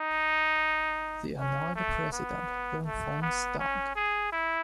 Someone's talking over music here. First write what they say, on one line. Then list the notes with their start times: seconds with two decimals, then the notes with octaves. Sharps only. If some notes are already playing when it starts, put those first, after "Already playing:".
The annoyed President then phones Doug.
Already playing: D#4
1.39 C#4
1.76 A3
2.12 B3
2.86 A3
3.22 B3
3.59 C#4
3.96 G#4
4.32 E4